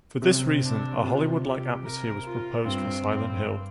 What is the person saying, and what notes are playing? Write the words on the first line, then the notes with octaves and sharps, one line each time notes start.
For this reason, a Hollywood-like atmosphere was proposed for "Silent Hill".
C3 C4
D4
C3 F4
G4
A#4
F4
G2 C4
C4